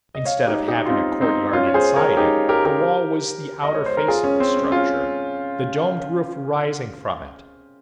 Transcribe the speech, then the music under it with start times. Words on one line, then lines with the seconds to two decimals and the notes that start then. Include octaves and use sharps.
Instead of having a courtyard inside it, the wall was the outer face of the structure, the domed roof rising from it.
0.15 D#5
0.25 C#5 F5
0.47 D#4 G4
0.68 D#4 G4
0.86 F4
0.90 C4 D#4
1.21 C4 D#4
1.53 C#4 F4
1.67 C#5
1.74 G#4 C5
1.96 A#4 C#5
2.17 D#4 G4
2.49 G4 A#4
2.65 G4 A#4
3.63 D#5
3.74 C#5
3.86 C5
3.97 A#4
4.08 F4 G#4
4.24 C#4
4.40 C4
4.57 C#4
4.72 C#4 F4